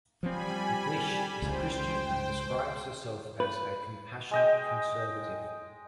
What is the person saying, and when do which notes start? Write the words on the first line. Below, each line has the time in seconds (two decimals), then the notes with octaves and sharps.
McLish is a Christian and describes herself as a compassionate conservative.
0.23 F3 G3 C4 G#5 B5
1.42 C#2 C5 G5
3.40 B4
4.31 G#3 D#5 G5